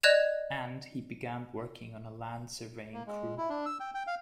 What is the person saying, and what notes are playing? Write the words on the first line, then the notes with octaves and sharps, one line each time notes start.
And, he began working on a land surveying crew.
D5 D#5 F#6 G#6 E7 F7
A#3
G#3
E4
D4
E6
G5
G5
F5